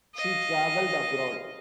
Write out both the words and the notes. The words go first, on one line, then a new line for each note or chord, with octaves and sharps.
She travelled abroad.
D#5 F5